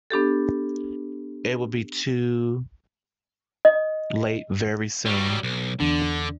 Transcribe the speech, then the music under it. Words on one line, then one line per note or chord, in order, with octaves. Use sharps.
It will be too late very soon.
B3 D4 G4 A4
D#5
F#3 G3
B1
E2 D3 D4